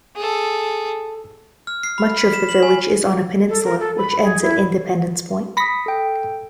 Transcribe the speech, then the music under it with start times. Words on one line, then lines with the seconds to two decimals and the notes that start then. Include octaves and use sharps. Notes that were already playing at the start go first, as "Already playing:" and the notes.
Much of the village is on a peninsula, which ends at Independence Point.
0.16 G#4 A4
1.67 F6
1.83 C7
1.98 B5
2.18 B6
2.33 E7
2.49 F#7
2.63 G#5
3.49 A4
3.65 A#4
3.80 A4
3.97 B5
4.23 G#4
4.42 E4
5.57 B5 D#6 A#6 B6 C#7
5.86 A4 G5